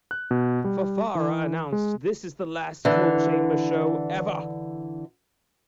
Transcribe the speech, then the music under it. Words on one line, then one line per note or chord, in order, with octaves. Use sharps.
Fafara announced This is the last Coal Chamber show ever!
F#6
B2
G3
E3
G#3
D3 E3